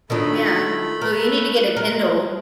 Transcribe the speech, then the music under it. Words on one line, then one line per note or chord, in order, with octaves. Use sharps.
Yeah, ooh, you need to get a Kindle.
D#3 F#3 A3 D4 F4 A4 B5
A#4 B4
A#4